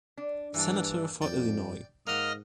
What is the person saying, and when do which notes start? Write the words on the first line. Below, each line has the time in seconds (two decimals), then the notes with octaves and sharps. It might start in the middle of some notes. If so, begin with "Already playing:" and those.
Senator for Illinois.
0.17 D4
0.54 G2 E3 A#3 D4
1.22 F2 D5 G5
2.07 G#2 A#3 D#5 F#5 F6